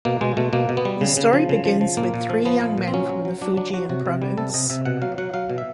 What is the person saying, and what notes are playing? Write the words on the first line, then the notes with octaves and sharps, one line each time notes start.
The story begins with three young men from the Fujian province.
B2 A#3
B2 G#3
B2 A3
B2 A#3
B2
B3
G3
C#3
C#3
F3
C#3
F3
F3
A#2 A#3
A#2
F3
F3 B3
A#2
A#2
C4
F#3 C#4
F#3
F#3
F#3 D4
F#3 D4
F#3 F#4
C3 F#4
C3
G3
C3 A4
C3 D#5
C3 E5
B2 F#5
F#3 F5
F#3 F#5
F#3 F5
B2
E5